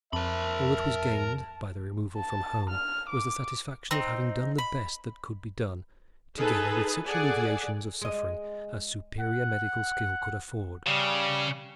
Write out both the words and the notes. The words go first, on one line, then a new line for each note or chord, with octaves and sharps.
All that was gained by the removal from home was the satisfaction of having done the best that could be done, together with such alleviations of suffering as superior medical skill could afford.
F2 A#4 E5 A5 B5
A5
F6
D6
C4 D#4
B5
D#4 G#4 A4 B4
G#4 A4 D5 F#5 G#5
G#3 D#5
F#5
C#3 G3